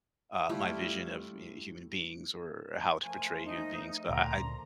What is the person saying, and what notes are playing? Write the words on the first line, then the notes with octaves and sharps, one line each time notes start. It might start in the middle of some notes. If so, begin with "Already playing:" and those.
uh, my vision of h human beings or how to portray human beings. But I I
G3 A3 E4 F4
F3 A3 A#4 G#5
D#4
D2 A#2 D3 A#5 C6 D6